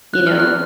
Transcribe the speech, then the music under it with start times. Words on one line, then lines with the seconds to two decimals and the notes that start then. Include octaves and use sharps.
you know,
0.14 F#6
0.27 F6
0.40 F#6